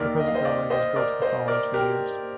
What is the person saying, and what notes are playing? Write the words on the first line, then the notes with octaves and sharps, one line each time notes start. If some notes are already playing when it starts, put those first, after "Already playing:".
The present building was built in the following two years.
Already playing: D#2 D#3 A#4 D5
D#5
F5
C5 D#5
D5 F5
C5 D#5
A#4 D5
C5 D#5
A#4 D5
G4 A#4